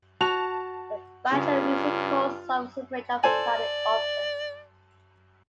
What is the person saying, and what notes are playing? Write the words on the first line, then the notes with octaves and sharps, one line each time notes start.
The Bachelor Music course offers a range of study options.
F#4 A5 F7
G2 C#3 F4
A4 C5 D5 G#5